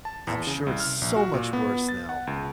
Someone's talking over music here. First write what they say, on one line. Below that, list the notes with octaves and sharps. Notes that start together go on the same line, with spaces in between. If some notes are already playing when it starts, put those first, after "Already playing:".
I'm sure it's so much worse now.
A5
E2
C#3
C2
F6
A#1
F#4
A#2
B3
A6
F#5
C#2